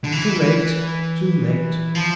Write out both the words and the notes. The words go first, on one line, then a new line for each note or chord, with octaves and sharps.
Too late!--too late!
D3
E3
F3